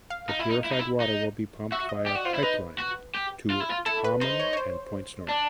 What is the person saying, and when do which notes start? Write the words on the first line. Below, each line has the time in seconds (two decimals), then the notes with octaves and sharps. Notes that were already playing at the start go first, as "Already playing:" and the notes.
The purified water will be pumped via pipeline to Amman and points north.
0.10 F5
0.29 D#4
0.39 E4
0.50 D#4
0.64 E4
0.71 D#4
0.79 E4
1.00 D#4
1.72 F#4 E5
1.89 D#5
2.06 G4 D5
2.15 F#4
2.25 F4 C5
2.34 E4
2.43 D#4 B4
2.78 F#4
3.15 G4
3.50 F4
3.60 E4
3.70 F4
3.86 E4 A4
4.04 B4
4.21 D#4 C5
4.39 C#5
4.53 C#5
4.57 C5
5.29 D4 D5